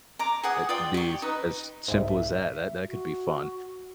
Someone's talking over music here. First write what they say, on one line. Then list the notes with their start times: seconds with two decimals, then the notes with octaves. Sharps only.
It could be s as s simple as that. That that could be fun.
0.19 A#5 D6
0.43 G#4 F#5 D#6
0.69 F4 D5 G5
0.94 G4 C#6
1.22 D#4 B4
1.88 C2 G#2 E5
2.88 F#4